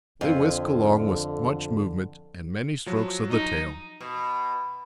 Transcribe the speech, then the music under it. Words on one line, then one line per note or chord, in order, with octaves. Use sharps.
They whisk along with much movement and many strokes of the tail.
F2 D3
F3 F#3
D#4
B2